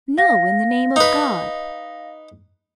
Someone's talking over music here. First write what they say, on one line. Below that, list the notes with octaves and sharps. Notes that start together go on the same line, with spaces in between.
No, in the name of God!
F5 A#6
D#4 B4